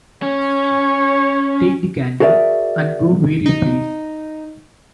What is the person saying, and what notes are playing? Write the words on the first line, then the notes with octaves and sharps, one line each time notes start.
Take the candle, and go where you please.
C#4 C#5
F#4 G#4 A#4 D5 E5
D#4